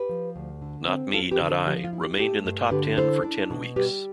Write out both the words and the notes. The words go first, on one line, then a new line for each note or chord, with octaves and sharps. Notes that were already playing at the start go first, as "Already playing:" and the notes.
"Not Me, Not I" remained in the top ten for ten weeks.
Already playing: G4 B4
F3
D2
D3
C4
C4 F4 A4
G4 B4
D3
A4 C5
F3 G4
F4
E4
G4
A3 G4
G2
D3 G4 B4
E4 A4 C5
D4
B2
G3 G4 B4